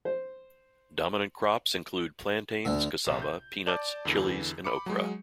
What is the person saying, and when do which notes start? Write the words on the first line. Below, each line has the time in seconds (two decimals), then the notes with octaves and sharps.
Dominant crops include plantains, cassava, peanuts, chillis, and okra.
0.05 C5
2.65 D2 D3
3.06 A#1 C3
3.22 G6
3.67 D5 A5 D6 G6
4.05 E2 D3 E3
4.64 B5 D6 C#7
4.86 F#3 G#3